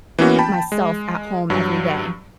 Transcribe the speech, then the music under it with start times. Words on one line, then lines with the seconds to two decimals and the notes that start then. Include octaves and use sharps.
myself at home every day,
0.19 E3 A#3 B3 C#4 F#4
0.39 G5 A5 B5
0.72 G#3
1.50 G2 F#3